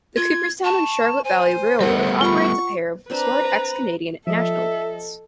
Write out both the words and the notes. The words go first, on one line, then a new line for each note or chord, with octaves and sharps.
The Cooperstown and Charlotte Valley Railroad operates a pair of restored ex-Canadian National units.
F4 G#6
A5 C#6
C5 G#5
G3 A3 B3 A#4 F#5
F4 B5 C#6
C4 D4 B4 C5 A#5
F3 A4 D#5 E5